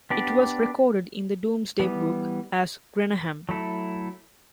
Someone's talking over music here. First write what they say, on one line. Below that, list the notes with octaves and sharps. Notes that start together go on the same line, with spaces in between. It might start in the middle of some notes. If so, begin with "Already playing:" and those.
It was recorded in the Domesday Book as "Greneham".
B3 D4 G4 D5
E3 G3 B3
F#3 A3 E4 A4